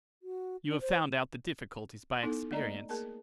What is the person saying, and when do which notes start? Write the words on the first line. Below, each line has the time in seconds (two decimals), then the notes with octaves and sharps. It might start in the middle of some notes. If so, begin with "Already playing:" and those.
'You have found out the difficulties by experience.'
0.22 F#4
0.66 D4
0.81 C5
2.23 B3 D#4 E4 A4
2.51 A3 A#3 D5 D#5 A#5
2.89 A#3 G#4 A#4 A5